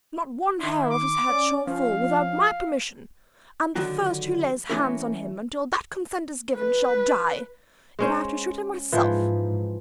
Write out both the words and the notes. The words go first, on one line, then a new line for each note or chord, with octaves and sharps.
Not one hair of his head shall fall without my permission; and the first who lays hands on him until that consent is given, shall die, if I have to shoot him myself!
D#3 E4 C6
D6
C#4 D5
F3 C#4 F5
D3 D#3 F#3 F#4 G4
E3 A3 C#4 E4 A#4
B4
G#3 C#4 C5
G#2 E3 F3